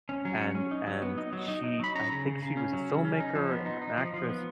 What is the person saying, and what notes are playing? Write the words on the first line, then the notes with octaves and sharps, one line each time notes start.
And and she I think she was a filmmaker, an or an actress,
C#4
F#3
C#4
C#4
D#4
F#3
B3
D#4
F#3
D#4
D#4
F#3 B5
C#4 A#5
C#3
C#3
C#3
C#4
F#3
C#3
C#4
D#4
F3
B3
D#4
D#4
F3
F3
B3